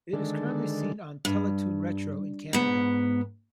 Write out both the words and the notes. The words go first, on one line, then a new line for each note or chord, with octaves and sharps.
It is currently seen on Teletoon Retro in Canada.
D3 D#3 G#3 D4 A4
G2
G#2 B3